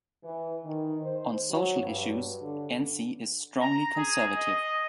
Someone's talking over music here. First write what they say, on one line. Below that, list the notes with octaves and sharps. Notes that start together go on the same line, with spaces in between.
On social issues, Enzi is strongly conservative.
E3
D#3
C5
F#3
G2
D3
A#5
G#4
D#5